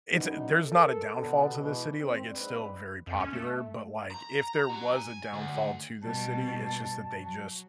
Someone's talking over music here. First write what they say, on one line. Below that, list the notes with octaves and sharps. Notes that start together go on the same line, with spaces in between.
it's there's not a downfall to this city. Like, it's still very popular. But, like, if there was a downfall to this city, it's just that they just
F#2 B2 E3 B3 D4 D#4
A4 A#4
B2 D3 G3 B3 A4
B2 E3 G#3
D#3 C4
A#1 G#2 C4 B4 D5
F2
C#4
A3
A#5
F#4 A#5
G#5
D2
B2 G3 A5
F#3